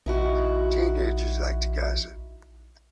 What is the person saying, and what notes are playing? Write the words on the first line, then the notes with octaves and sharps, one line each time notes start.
Teenagers like to gossip.
A#1 D#4 E4 F#4